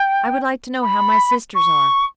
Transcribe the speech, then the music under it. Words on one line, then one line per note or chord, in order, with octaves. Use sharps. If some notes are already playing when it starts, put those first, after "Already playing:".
I would like to know how my sisters are.
Already playing: G5
B5
C#6